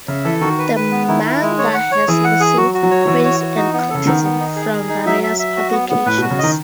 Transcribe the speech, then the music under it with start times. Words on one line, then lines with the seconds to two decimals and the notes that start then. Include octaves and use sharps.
The manga has received praise and criticism from various publications.
0.08 C#3 E5
0.25 E3 A4
0.41 D#3 F#4
0.59 B4
0.76 B4
0.91 B3
1.08 D#3 E4
1.25 E4
1.42 G#3
1.58 C#5
1.74 F#5
1.92 C#5
2.08 E3 G#4
2.24 F#5
2.40 G#4
2.57 F#3 F#4
2.74 F#4
2.83 F#3
2.91 C#5
3.07 E3 F#4
3.24 C#5
3.40 F#4
3.57 D#4
3.74 B3
3.90 C#3 A4
4.07 D#3 B3
4.24 B3
4.39 D#4
4.56 G#4
4.73 G#4
4.89 D#4
5.06 F#3 E5
5.23 E5
5.39 E5
5.56 F#4
5.72 B3
5.89 B3
6.06 A2 B4
6.18 B2 F#4
6.30 C#3
6.38 D#3 D#5